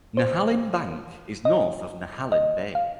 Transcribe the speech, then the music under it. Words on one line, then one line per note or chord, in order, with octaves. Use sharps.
Nehalem Bank is north of Nehalem Bay.
C5
D#5
D#5
F5